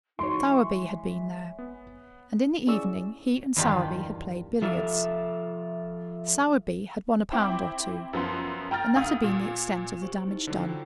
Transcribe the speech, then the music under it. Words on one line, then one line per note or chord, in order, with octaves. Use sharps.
Sowerby had been there, and in the evening he and Sowerby had played billiards. Sowerby had won a pound or two, and that had been the extent of the damage done.
E3 G#3 D#4 F#4 C#5 C6 D7
E5 G#5
B3
C#4 E4 G#4 D5 C#6 E6
E2 G2 D#3 D4 F4 G4
F3 F4 A4 E5
C4 E4 G5 D6
F#2 F3 B3 C6
G5 A#5 F6 A6
D2 F5 D#6
A#2
G4 C5 C#6
D#4 E4
D3 F#3 F4 A4 C5
G5